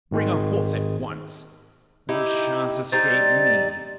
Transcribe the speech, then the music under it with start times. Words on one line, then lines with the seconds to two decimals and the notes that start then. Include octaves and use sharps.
'Bring a horse at once; they shan't escape me.'
0.11 G#1 D#3 G#3
2.09 D#4 E4 G4
2.92 G3 C4 D#4 A6